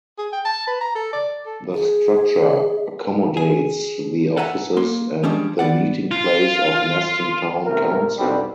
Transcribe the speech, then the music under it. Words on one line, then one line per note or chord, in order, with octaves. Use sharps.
The structure accommodates the offices and the meeting place of Neston Town Council.
G#4
G5
A5
B4
A#5
A4
D5
A4
G#4
G#4
A4 B4 E5 F#5 G#5 A#5
A#3 C6
F3 G3 G#3 C#4 D4
B3 D5 F#5
F4
B1 C3 A3 A#4
C2 F2 B2 D3 G3 C4